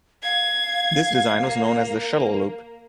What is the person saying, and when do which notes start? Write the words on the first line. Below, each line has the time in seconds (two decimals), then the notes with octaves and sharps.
This design was known as the Shuttle Loop.
0.23 F5 G#6
1.43 A#3